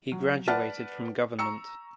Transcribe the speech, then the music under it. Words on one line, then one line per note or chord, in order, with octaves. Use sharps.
He graduated from Govt.
F#3
B4 D5 F#5 A5 F6 A6
A#5 C#6 E6 C#7